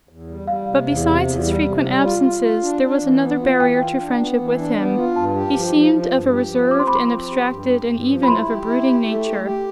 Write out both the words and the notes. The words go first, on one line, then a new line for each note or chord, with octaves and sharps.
But besides his frequent absences, there was another barrier to friendship with him: he seemed of a reserved, an abstracted, and even of a brooding nature.
E2
G3
G3 F5
C3
E2
C3
E2
G3
C3
G3
F4
F4
F4
D4
D4
E3
B3
F4
E3 G5
F4
D4
B3
E3
D4
B3
F4
G2 A5
G4
F3
F3
F3
G2
G4
F3
C4 D6
C6
B5
F3 C6
C4
G4
G2
G4
G2
F3
B5
E4 C6
G4
E4
G4
A3
G4
G4